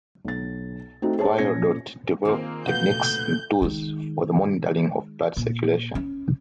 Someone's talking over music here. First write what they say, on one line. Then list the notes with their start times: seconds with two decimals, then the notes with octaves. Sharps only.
Vierordt developed techniques and tools for the monitoring of blood circulation.
0.25 B1 A6
1.02 A3 C4 D#4 F#4 A4
1.19 G#4 C5 C#5 A5
1.38 A#2 C#4 G#6 A#6 C#7
2.25 D#3 A#3 C4 F4 G#4 A#4
2.67 A#2 D3 A3 B3 F#4 F5 G6
3.62 D#3 G#3
5.37 A#2
5.95 C#4